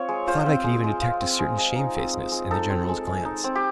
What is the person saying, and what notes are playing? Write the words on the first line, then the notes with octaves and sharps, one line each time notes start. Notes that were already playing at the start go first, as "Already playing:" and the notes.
I thought I could even detect a certain shamefacedness in the General's glance.
Already playing: C4 F4 C#5
G#3
F4 C5
C4
G#3
G#3
F4
C4
G#3
G#3
D#4
C4
G#3
G#3
D#4 A4
C4
G#3
G#3
D#4
C4
G4